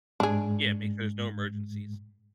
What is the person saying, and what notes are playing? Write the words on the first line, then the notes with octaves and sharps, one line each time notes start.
Yeah, make sure there's no emergencies.
G#2 G#3 D4 G#4